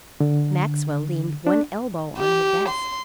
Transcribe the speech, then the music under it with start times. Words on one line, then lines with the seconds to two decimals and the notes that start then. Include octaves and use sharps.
Maxwell leaned one elbow on her desk.
0.20 D3
1.47 D4
2.18 G4
2.68 C6